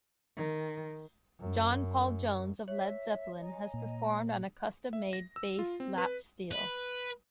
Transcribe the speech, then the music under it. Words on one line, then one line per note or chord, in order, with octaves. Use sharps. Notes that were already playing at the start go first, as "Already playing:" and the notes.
John Paul Jones of Led Zeppelin has performed on a custom-made bass lap steel.
D#3
F#2
C#5 E5
D#5 G#5 A#5
A#2
E5
A#6
E6
F4
C4
B4
B4